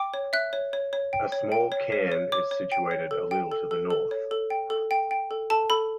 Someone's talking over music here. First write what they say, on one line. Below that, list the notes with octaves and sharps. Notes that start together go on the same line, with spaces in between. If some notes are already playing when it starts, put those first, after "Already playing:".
A small cairn is situated a little to the north.
Already playing: G5 D6
C#5
E5 F#6
C#5
C#5
C#5
G5
C#5
G5
C#5
C#5
C#5
C#5 D6
C#5
G5
C#5
A4
G5
A4
A4
A4
C#5
A4
G5
A4
G5
G5
A4
A4 A5
A4 B5